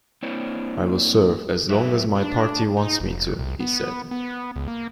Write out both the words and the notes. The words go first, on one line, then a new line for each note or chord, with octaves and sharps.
"I will serve as long as my party wants me to," he said.
A#3 C4 D4 E4 C5 C#5
F#3 B4 E5
D4
D#4
F1
C2
B3
B3
C#2
A#3